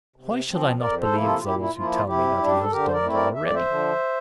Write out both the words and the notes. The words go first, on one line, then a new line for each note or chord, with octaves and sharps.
Why should I not believe those who tell me that He has done it already?
C3
F3 C4
F2 A#4 D5
A4 C5
C3 F3 A#3 E4
F4 A4
F4
A#2 E4 G4
E4
F3 A#3 E4 F4
F4
C3 E4 G4
G3 D4
G4
A4
D3 G4 A#4
C5
A#4 D5
A3 C4 E4
A#4 D5
F2 E5
D5
C5 E5
D3 F3